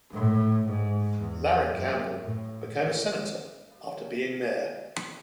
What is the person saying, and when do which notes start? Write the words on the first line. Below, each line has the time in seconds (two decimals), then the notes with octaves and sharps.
Larry Campbell became a Senator after being mayor.
0.13 A2
0.67 G#2
1.19 E2
1.72 F#2
2.24 A2